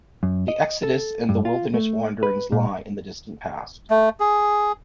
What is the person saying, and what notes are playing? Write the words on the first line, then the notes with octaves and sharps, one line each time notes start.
The Exodus and the wilderness wanderings lie in the distant past.
F#2
D#5
A4
G2
F4
A3
B4
A#2
A3
G#4